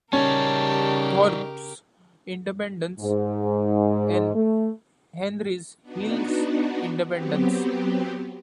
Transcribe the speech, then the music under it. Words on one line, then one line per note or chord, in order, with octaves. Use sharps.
Thorp's Independence and Henry Hill's Independence.
C#3 G3 C#4 D#4 G4 A#4 A5
G#2
A3
B3 D4 D#4 F#4
F#3 B3 C4 G4